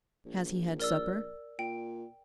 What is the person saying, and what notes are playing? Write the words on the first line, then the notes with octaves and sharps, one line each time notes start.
Has he had supper?'
A#1
A#4 D5 E6
A#2 G5